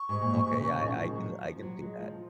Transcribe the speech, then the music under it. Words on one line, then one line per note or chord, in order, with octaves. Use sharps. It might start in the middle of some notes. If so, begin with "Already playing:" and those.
okay, yeah, I I can I can see that.
Already playing: C#6
G#2
A#2
G#2
A#2
C#3
C#3
F3
D#3
F3
G#3
F#3
F3
F#3
G#3
F3